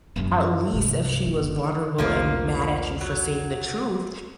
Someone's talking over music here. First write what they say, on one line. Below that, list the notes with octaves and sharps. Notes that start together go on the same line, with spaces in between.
At least if she was vulnerable and mad at you for saying the truth,
F#2 F#3
C2 G2
F#1
E1 B1 F3 A3 A#3 F4
F#3